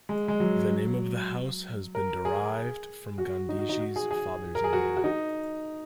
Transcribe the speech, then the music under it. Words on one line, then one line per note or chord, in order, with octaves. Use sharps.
The name of the house has been derived from Gandhiji's father's name.
G#3
G#3
F#3
A#4
G#4
F#4
D#4
F#4
D#4
F#4
G#4
G#4
A#4
G#4
F#4
F#4
D#4